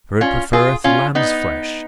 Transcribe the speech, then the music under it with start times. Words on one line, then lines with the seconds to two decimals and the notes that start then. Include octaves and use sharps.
For it preferreth lamb's flesh.
0.21 C#4 F4
0.53 F4 G#4
0.84 C#4 F4
1.15 B3 D#4